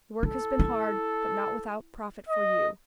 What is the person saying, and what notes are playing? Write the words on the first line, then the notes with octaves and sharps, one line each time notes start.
The work has been hard, but not without profit for you.
E4 A4
E4
D#5